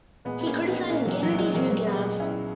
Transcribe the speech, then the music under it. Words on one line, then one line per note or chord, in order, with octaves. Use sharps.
He criticized Gennady Zyuganov.
A#2 G#3 B3
B3
A#2 A#3 C#4
A#1 B3 D#4
A#2 A#3 C#4
F#3 A#3
A#2
F#3
A#1
G#3
A#1 F#3 A#3
A#1
G#3 B3
A#2
A#1 C#4 E4